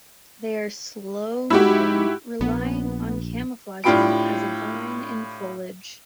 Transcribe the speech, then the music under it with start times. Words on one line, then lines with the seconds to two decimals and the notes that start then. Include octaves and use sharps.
They are slow moving, relying on camouflaging as a vine in foliage.
1.50 G#2 E4 F#4 G4
2.41 A#1 B3
3.84 A2 D4 F4 G4 B5 D7